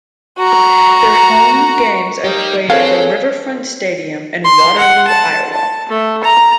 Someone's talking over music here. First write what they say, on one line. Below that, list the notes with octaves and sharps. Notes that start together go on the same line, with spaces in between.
Their home games are played at the Riverfront Stadium in Waterloo, Iowa.
F#4 A#5
G3 A#3 C4 D#4 G4
C4 D4 G#4 A4 B4 C#5 F5
C6
F#5
A5
A5
A3
A#5